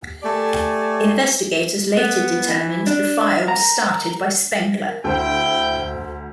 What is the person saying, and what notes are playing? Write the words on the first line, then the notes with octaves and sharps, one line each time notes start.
Investigators later determined the fire was started by Spengler.
A3 G4 D5 G#5 A5
B3
E3
D4
A#5
D2 E4 A4 C5 G5